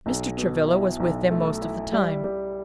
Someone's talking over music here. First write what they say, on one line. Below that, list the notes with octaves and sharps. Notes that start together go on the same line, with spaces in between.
Mr. Travilla was with them most of the time.
B1
B2
E4
B1
A3
E4
G3
G3